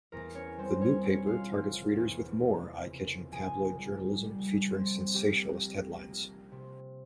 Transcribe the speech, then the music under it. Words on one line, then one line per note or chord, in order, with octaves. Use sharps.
"The New Paper" targets readers with more eye-catching tabloid journalism featuring sensationalist headlines.
E2 A#4
C#4 C#5
G3 C4 C5
C#4 C#5
E1 C#4 C#5
F4 F5
F1
E2
F1
C#3
A#1 G#4 G#5
G3
G3
C4
A#3 G4 G5
A#3
A#3
C3